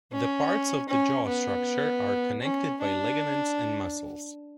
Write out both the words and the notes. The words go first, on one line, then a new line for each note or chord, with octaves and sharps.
The parts of the jaw structure are connected by ligaments and muscles.
C#4
C#4
B3
C#4
D4